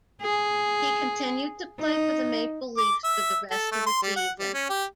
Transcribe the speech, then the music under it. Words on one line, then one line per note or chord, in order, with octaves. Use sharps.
He continued to play for the Maple Leafs for the rest of the season.
G#4
D#4
D6
E5
A4
A3
C6
G3
F#5
G3
C#4
G4